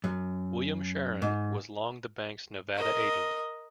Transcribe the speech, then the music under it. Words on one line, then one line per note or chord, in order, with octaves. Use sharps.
William Sharon was long the bank's Nevada agent.
F#2
G#2
A#4 D#5